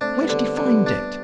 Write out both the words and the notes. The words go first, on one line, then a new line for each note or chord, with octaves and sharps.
Where did he find it?
A3 C4 D4
G3 B3
D3
D3
G3 B3
D4